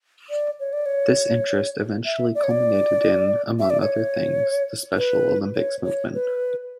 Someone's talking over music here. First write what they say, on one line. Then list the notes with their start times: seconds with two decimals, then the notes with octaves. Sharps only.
This interest eventually culminated in, among other things, the Special Olympics movement.
0.30 D5
0.60 C#5
0.73 D5
0.86 C#5
2.05 E5
2.35 D5
2.44 C#5
2.51 D5
3.60 E5
3.70 D5
3.81 C#5
4.97 B4
5.56 C#5
5.85 C#5
6.14 B4